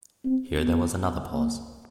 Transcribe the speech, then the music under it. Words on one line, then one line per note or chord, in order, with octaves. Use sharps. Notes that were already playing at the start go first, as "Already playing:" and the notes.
Here there was another pause.
C4
B3
A#3